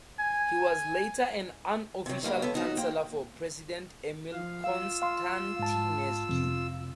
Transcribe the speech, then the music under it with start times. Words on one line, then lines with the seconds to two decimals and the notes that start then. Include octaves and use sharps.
He was later an unofficial counselor for president Emil Constantinescu.
0.19 G#5
2.06 C3 F#3
2.23 D3 G3 A#3 D#4
2.42 B3 A4 C#5
2.55 D#4 F#4
2.77 A#3 C5 G5
4.32 F3 F5
4.64 F4 F5 E6
5.02 F5 C6
5.59 G#2 A5
6.29 F2 C3